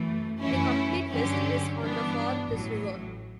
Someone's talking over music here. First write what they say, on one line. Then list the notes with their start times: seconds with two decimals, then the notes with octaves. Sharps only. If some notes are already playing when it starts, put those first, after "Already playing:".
The complete list is on the for this river.
Already playing: F#2 E3 A3
0.41 F#2 E3 A3 C#4 E4
1.10 G2 D3 F#3 C#4 G4
1.78 G2 E3 B3 D4
2.47 A1 A2 F#3